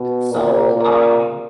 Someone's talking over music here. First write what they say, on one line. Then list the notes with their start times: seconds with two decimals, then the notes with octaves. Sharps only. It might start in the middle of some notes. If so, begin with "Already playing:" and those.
So, um
Already playing: B2
0.31 A#2
0.76 A#2